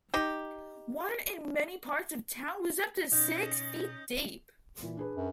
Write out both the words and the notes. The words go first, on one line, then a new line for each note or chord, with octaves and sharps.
Water in many parts of town was up to six feet deep.
D#4 G4
B2 C#4 D#4 D#5 D#6 G6
A#2 E3
D4 G#4 B4
F#2